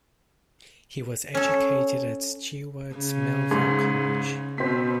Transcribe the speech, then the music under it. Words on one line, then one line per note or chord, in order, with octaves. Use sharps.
He was educated at Stewart's Melville College.
C#4 A4
C#3
G#2
B2 C4 B6